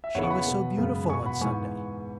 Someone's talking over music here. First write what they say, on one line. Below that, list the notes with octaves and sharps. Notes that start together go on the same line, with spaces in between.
She was so beautiful on Sunday.
E5
E2 C#3 E3 B3 C#5 F#5
C#6
F#5 B5
B2 B3
F#2 C#3 G#3 B3
E2 B2 B3 G#5 C#6
F#5 B5
G#2 E3 B3 G#5 C#6